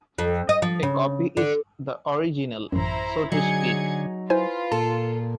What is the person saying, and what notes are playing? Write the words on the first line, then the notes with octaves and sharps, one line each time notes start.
A copy "is" the original, so to speak.
F2
D#5
F3
C#3
D3
A1 F#2 E4 C5 A#5
D3 F#3 D#4 G#4 G#6 C#7
E4 F4 B4 C5 G#5
A#2 A4 A5